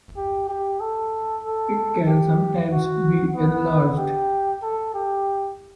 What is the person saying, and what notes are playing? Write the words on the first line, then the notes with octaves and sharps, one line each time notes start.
It can sometimes be enlarged.
G4
G4
A4
A4
G4
F#4
B3
G4
A4
G4